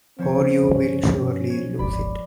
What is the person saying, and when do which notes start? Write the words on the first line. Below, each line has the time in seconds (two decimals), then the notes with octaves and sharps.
Or you will surely lose it.
0.19 F3 C4 C5 C#5
0.69 G2 C#4
1.50 C#5
1.79 D#1 G#1 D5 B5